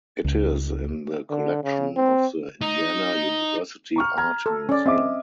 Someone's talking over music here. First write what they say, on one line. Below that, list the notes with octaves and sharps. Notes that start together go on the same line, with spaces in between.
It is in the collection of the Indiana University Art Museum.
C#2
D3
C#3
C4
D#4
A#5 C#6 F6
A#5 F6 G#6
A4
C#4 D5
C4 D#5 E5 D6